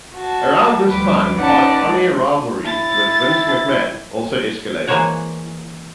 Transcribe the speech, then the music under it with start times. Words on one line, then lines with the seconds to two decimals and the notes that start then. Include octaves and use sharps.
Around this time, Hart's on-air rivalry with Vince McMahon also escalated.
0.16 F#4 A5
0.89 D2 F3 G3 B4 D6
1.35 C#4 D#4 B4 D5 F#5 A5
1.84 G#3
2.66 E4 A6
4.88 E3 G#3 A#3 C5 C#5 F#5